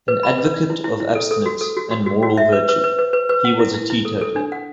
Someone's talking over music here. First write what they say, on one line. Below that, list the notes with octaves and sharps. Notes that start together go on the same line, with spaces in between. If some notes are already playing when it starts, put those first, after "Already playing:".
An advocate of abstinence and moral virtue, he was a teetotaler.
B4
B5
B4
D5
E4
E4
E4
A4
A4
F#4
A4
F#4
F#4
F#4
F#4
E5
B4
B4
B4
B4
B4
B4
F#5
E4
E4
E4
A4
A4
D4
F#5